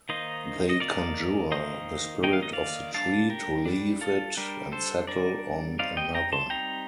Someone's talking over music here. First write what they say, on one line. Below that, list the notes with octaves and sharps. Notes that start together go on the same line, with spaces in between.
They conjure the spirit of the tree to leave it and settle on another.
D#3 A#3 D#4 C5 D#5
D#5
D#3 A#3 D#4 A#4 D5
D#3 A#3 D#4 C5 D#5
D#3 A#3 D#4 G5
F5
D#5
D5 F5
G3 D4 F5 A5
G4 A#4
G3 D4
F4 A4
G3 D4 G4 A#4
A4 C5
G3 D4 A#4 D5
G3 C4 D#4 D5 F5
D#5 G5
G5 A#5
A5 C6
G3 C4 D#4 G5 A#5